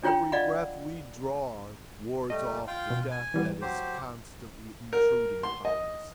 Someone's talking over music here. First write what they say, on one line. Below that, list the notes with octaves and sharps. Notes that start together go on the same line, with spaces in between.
Every breath we draw wards off the death that is constantly intruding upon us.
D4 F4 C#5 G5 B5
D5 D#5 F5 F#5 B5
G3 A3 D#5
F4 F5 G5
B2
G#5
E3 G3 B3
F#3 G4 C5
A#4
C6
D#5